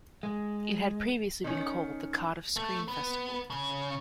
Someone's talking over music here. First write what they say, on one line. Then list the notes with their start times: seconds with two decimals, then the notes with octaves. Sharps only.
It had previously been called the Cardiff Screen Festival.
0.23 G#3
1.44 D#3 C#4
2.56 A3
2.88 B3
3.50 C#3